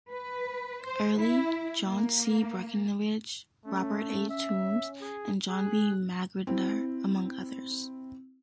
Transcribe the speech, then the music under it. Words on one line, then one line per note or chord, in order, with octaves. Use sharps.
Early, John C. Breckinridge, Robert A. Toombs, and John B. Magruder, among others.
B4
C5
E4
A#3
A3 C#4
E5
G#4
G#4 F#6
C4 E4